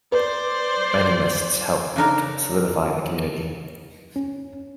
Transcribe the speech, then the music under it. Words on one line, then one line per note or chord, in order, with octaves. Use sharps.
Mailing lists helped solidify the community.
B4 C5 D5
C#3 D4 D#4 A#4
C#4